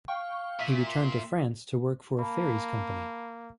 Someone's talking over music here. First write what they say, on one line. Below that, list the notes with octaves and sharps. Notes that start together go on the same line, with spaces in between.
He returned to France to work for a ferries company.
F5 G5 C#6
A#2 E5 B6
C6
A#3 A5 B5